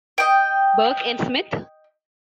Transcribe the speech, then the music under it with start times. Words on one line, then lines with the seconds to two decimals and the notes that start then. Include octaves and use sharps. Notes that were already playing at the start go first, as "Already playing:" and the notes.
Burk and Smith?
0.18 D#5 G5